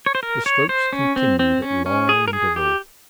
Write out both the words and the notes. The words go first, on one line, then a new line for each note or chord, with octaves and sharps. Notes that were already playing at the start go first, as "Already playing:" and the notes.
The strokes continued at long intervals.
C#5
C5
A#4
C#5
C5
C#4
C4
C4
C#4
C#4
G#4
A#4
G#4
G4